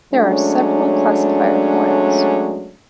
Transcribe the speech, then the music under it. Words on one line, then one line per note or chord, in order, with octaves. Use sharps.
There are several classifier forms.
F#3 G#3 A3 C#4 D4